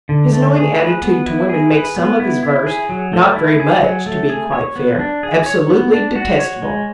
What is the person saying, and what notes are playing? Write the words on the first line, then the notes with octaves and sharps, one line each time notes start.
His knowing attitude to women makes some of his verse--not very much, to be quite fair--absolutely detestable.
D3
A3
G#4
B4
B3
E4
G#4
B4
B3
E4
E4
G#4
F#3
A3
E4
G#4
F#3
A3
G#4
C#5
B3
D4
G#4
C#5
B3
D4
F#4
C#5
G#3